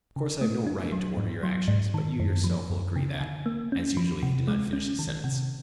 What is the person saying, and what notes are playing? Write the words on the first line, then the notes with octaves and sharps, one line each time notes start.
"Of course I have no RIGHT to order your actions, but you yourself will agree that..." As usual, he did not finish his sentence.
C#3
A3
D4
F#3
G#2
F#3
G#2
D#3
F#2
F3
F#2
C#3
D3
A#3
C#4
F3
C3
G#3
C#4
D#3
C3